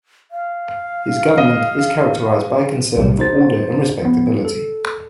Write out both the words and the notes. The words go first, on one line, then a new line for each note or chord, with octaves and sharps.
His government is characterized by a concern for order and respectability.
F5
D#5
B1 C3 G3 G4
D#4 C5 A6
F3 B3
A4